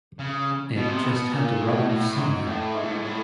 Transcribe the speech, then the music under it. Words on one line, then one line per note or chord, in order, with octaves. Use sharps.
It just had to rub off somewhere.
C#3
B2
C3
B2
A#2
A2
A2
A2
G#2
A2
G#2
A2
G#2
A2